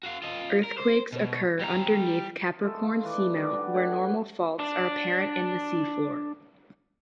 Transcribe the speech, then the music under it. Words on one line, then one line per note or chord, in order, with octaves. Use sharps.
Earthquakes occur underneath Capricorn Seamount where normal faults are apparent in the seafloor.
F#4 F5
F4 D#5
A#4
C5
B2
G3 A#5
G#3 A3 A4
F4 F5
E3 B4 D5
D4 G#4 D5
G3 F#4
A3 G4 C#5 F#5
D4 D5